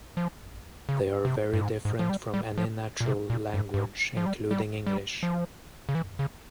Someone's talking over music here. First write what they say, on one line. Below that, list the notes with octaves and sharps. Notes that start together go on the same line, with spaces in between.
They are very different from any natural language, including English.
F3
C#3
C3
G2
G#2
G#2
F3
G3
G3
F3
A#2
C3
A#2
G2
G2
G#2
F3
G3
G3
G3
F3
C#3
E3
C#3